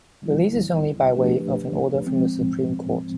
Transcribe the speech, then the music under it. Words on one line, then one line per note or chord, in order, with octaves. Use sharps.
Release is only by way of an order from the Supreme Court.
D3 G3 B3 E4
F3 A3 D4 G4 B4
F3 G#3 C4